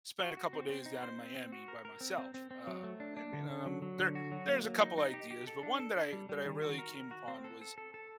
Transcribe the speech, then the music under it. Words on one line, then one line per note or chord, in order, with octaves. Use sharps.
spend a couple of days down in Miami by myself?" Uh, and then, um, there there's a couple ideas, but one that I that I really came upon was
F#4
F#4
C4
C4
D#4
C5
C4
C4
F#4
A#4
A#4
C4
C4
C4
C4
F#3
A3
D4
D4
D3
D3
F#3
F#3
D3
F#4
F#3
A#3
F#3
D#4
D#4
G4
G4
A4
D4
A4
D4
G3
G3
D#3
F#4
A#4
A#4
F#4
C4
A4
A4
A4
A4